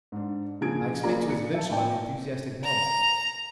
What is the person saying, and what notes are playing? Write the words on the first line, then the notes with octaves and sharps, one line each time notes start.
I expect he was lynched by the enthusiastic mob.'
G#2 D4
A#2 C#3 F3 G#4 G#6 D7
A3 A#3 F4 G#4 D5 A#5
C#7
E5 A5
A2 A3 D5 G5
A#5